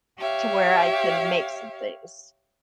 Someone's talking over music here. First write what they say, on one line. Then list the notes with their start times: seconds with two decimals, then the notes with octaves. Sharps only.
to where I can make some things.
0.19 G4 C#5 E5 F5